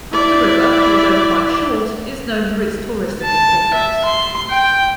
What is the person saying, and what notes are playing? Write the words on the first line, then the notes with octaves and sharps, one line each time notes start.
The river although quite short is known for its touristic importance.
E4 D5
A5
E5
C6
G5